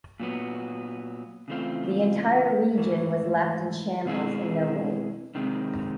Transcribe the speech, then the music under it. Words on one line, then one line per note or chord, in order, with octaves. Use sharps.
The entire region was left in shambles in their wake.
A#2 F#3 B3
C#3 E3 A3 C4 F4
G#2 E3 A3
B2 G#3 C4 E4 G#4
C3 D#3 G#3 C4